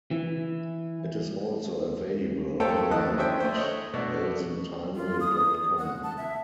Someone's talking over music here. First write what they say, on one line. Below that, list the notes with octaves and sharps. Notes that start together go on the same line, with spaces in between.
It is also available online at Elsentinel dot com.
E3
A3 A#3 A4 C5 C#5 G5
F2 E3 A3 D#5 A5 F#6
C#4 D4 C5 E5 G5
A3 C5
C#5 D#5
B2 A3 D4
F4
D#6
F#5
A5
E5